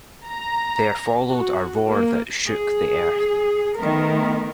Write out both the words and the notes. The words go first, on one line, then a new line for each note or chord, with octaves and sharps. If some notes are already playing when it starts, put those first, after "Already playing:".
There followed a roar that shook the earth.
A#5
F#4
A#3
G#4
D#3 A3 B3 A#4